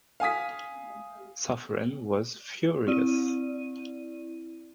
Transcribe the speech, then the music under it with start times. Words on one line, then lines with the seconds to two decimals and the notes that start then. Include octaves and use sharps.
Suffren was furious.
0.20 F5 G#5 D#6 B6
2.87 C4 E4 D5 D#7